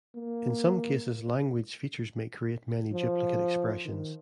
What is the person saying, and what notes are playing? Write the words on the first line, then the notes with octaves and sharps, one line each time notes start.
In some cases language features may create many duplicate expressions.
A#3
F3
D#3